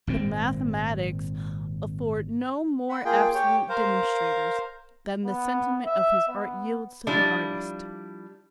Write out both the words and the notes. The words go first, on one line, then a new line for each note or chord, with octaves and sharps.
The mathematics afford no more absolute demonstrations, than the sentiment of his Art yields to the artist.
G#1 A#2 C4
F#5 B5
A#3 F4 G#4 G5
G4 C#5 G5
A#4 C5 F5
B3
E5
B3
F3 G3 D4 E4 D5